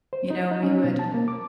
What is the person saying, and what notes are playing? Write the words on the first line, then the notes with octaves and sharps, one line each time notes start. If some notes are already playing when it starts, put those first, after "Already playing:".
You know, we would
C5
D#4
D#4
C#4
B2
A5
A#3
D6